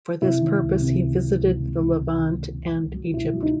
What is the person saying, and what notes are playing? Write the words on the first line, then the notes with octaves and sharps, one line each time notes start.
For this purpose he visited the Levant and Egypt.
C3 E4
D#3
C#2
C3
C#2
C#2
C#2
C3
C#2
C#2
D#3
C#2
C2
C2
F#3
B2 E4
F#3
D#4